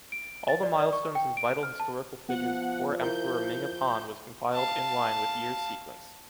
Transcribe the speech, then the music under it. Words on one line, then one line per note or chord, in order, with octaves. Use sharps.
All the milestones and vital historical figures before Emperor Ming of Han was compiled in line with year sequence.
D7
A6
D5
D5
C#6
G5
D7
F6
A5
F3 B3 F#5
E4 A#4 G6
F5 A5